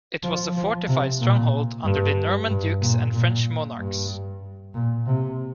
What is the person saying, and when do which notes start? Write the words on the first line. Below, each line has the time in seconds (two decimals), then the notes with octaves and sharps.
It was a fortified stronghold under the Norman dukes and French monarchs.
0.23 F3
0.56 F3
0.88 C3
1.20 A#2
1.84 G2
2.49 G2
2.81 A#2
3.13 A#2
3.78 G2
4.74 A#2
5.06 C3